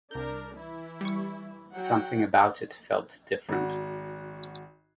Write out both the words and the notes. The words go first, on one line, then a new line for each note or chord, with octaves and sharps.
Something about it felt different.
C2 D4 A#4 G6
E3 E4
G3 C#6
F#3 F#5 G5
G#1 F#4